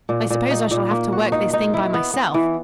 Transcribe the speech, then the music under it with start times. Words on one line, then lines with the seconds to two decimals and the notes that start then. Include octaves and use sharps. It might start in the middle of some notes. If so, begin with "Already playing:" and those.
"I suppose I shall have to work this thing by myself."
0.09 A#2
0.30 A#2
0.50 D#4
0.71 A#2
0.91 A#3
1.12 F#4
1.32 D#4
1.53 D#4
1.74 E4
1.94 B3
2.14 B3
2.34 E3